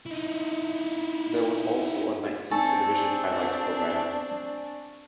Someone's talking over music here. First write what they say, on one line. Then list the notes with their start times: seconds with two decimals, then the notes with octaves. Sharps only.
There was also a nightly television highlight programme.
0.07 D#4 E4
2.51 C4 D4 A4 G#5 C#6